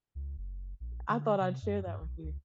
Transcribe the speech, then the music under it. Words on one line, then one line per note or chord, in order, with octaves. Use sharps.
I thought I'd share that with you
C#2
F#1
A#1
D3
C3
F#2
G2
B1
C#2